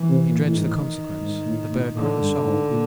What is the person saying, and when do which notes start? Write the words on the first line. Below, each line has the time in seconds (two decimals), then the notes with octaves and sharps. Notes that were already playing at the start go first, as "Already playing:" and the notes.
He dreads the consequence--the burden of a soul.
Already playing: E3
0.08 C3
0.28 A#2
0.45 A2 D#3
0.55 G#2
0.64 A2
1.20 G#2
1.45 A2
1.70 A2
1.95 A2 D3
2.19 G2
2.45 G#2
2.70 A#2